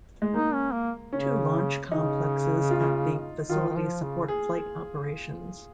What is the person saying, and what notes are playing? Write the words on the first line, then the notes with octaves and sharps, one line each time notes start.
Two launch complexes at the facility support flight operations.
G#3
A#3 D#4
C#4
A#3
C#3 C#4
C#3 D#4
F4
D#3 F4
D#3
F3
C#3
G#4